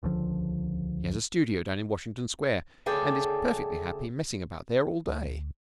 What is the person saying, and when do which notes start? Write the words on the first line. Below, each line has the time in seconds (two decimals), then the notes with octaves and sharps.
He has a studio down in Washington Square, and is perfectly happy messing about there all day.
0.03 D#1 C#2 D3 F3
2.86 D2 C#3 G#4 A4 D5 G5
5.08 D2